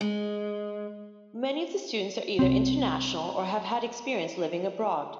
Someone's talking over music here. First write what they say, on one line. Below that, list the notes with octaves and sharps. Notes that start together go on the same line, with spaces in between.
Many of the students are either international or have had experience living abroad.
G#3
C2 C4